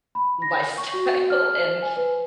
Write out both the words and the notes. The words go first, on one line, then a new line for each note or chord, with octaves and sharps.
lifestyle and
B5
A#6
C#6
F#4
F6
C5
G#5
B4